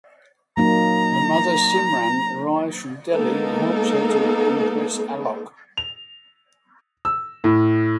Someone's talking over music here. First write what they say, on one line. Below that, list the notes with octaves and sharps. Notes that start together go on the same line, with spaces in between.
Her mother Simran arrives from Delhi and helps her to impress Alok.
F#3 A#3 D#4 A#5
G#3 A#3 B3 D#4 A4 A#4
F7
E6
A2